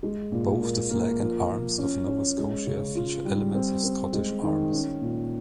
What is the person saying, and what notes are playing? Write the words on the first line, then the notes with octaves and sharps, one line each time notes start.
Both the flag and arms of Nova Scotia feature elements of the Scottish arms.
G#3
A#2
A#3
A#3
F3
F3
C#4
C#4
G#3
C#3
F4
G3
C4
C4
G#3
D#3
C#4
A#2